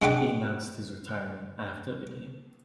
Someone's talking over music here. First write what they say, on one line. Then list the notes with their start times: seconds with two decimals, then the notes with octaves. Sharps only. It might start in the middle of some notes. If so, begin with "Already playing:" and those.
He announced his retirement after the game.
0.02 G#3 D4 F#5 G5 D6